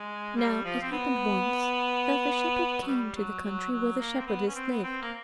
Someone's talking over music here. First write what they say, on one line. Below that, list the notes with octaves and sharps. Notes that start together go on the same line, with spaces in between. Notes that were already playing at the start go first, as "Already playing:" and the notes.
Now it happened once that the shepherd came to the country where the shepherdess lived.
Already playing: G#3
G3
F3
C4
B3
F#3
G3
F#3
F#3
F#3
A#3
C4
B3
C#4
C4
B3
C4
A#3